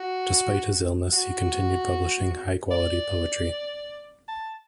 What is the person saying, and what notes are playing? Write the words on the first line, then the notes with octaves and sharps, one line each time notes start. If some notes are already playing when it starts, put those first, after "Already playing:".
Despite his illness, he continued publishing high quality poetry.
Already playing: F#4
F#4
D5
A5